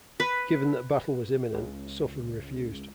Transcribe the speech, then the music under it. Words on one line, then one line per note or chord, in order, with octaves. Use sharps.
Given that battle was imminent, Suffren refused.
B4
C#2